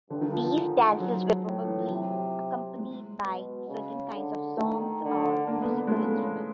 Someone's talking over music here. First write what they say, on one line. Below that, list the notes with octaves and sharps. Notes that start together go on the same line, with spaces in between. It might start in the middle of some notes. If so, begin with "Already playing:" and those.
These dances were probably accompanied by certain kinds of songs or musical instruments.
G2 D3
D#3
F3
F3
G#2
F#3
A2
E3
F3
C3 F#3
G#3
B2
C#3
D3
D#3 A3
D3
D3 A#3
B3
B3
G#3
C#3 A3